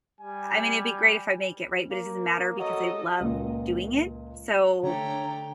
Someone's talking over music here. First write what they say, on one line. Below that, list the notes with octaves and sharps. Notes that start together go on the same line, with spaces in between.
I mean, it'd be great if I make it, right? But it doesn't matter because I love doing it. So,
G3 G#5
A#3
F#3 A4 D#5
C#2 A#2
D3 A3 D4 G4 C#5 A#5